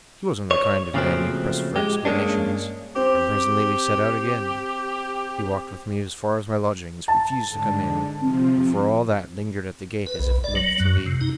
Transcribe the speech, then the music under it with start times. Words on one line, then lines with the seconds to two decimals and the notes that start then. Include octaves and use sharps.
He wasn't the kind of man you'd press for explanations, and presently we set out again. He walked with me as far as my lodgings, refused to come in, but for all that lingered at the gate as if loath to leave.
0.51 C#5
0.94 A#2 C#3 F3 F#3 A3 C4
1.76 G#3 G4
2.05 G2 G#3 A#3 C#4 D4
2.96 C4 G4
7.08 A5
7.46 G#2 D3
8.21 C3 F3 C4
10.07 B4
10.19 B1
10.44 D5
10.55 F#3
10.80 F#2
11.06 C3
11.21 D#4